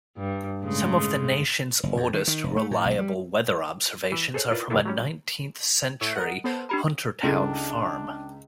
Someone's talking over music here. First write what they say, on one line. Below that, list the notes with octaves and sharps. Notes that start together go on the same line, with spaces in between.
Some of the nation's oldest reliable weather observations are from a nineteenth-century Huntertown farm.
G2
A2 C#3 G#3
F#1
F2
D#3
D#3
F1
A3
A2
B1
G3
E3
G#4 A4 C5 C#5 G#5
E4 F4 A#4 B4 D5
C#2 G2 D3 D4 E4 A4
F#3 G3 C#4
A2 C#5 E5
A#4 D#5 F#5
B3 A4 C5
D4 G4 A#4 B5
C#2 D4 E4 G#4 A4